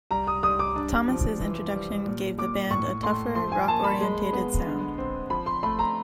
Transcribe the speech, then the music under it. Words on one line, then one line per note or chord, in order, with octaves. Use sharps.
Thomas' introduction gave the band a tougher, rock-orientated sound.
G3 A#5
D#6
G3 D#6
D6
D4
F3
E3
G3
A#2
A#2 D6
A2 C#6
A3 C6
F3 C6
G#5
A#3 A5
B5
G#3
B3
D3
C4
F3 B5
C6
A3 B5
A#5